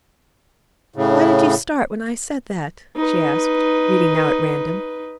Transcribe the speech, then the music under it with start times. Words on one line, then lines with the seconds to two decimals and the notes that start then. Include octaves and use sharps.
'Why did you start when I said that?' she asked, reading now at random.
0.96 A2 C#3
2.96 D#4 B4